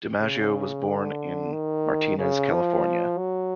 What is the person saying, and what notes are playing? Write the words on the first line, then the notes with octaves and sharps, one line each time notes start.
DiMaggio was born in Martinez, California.
C#3
D3
D#3
C#3
F3
F#3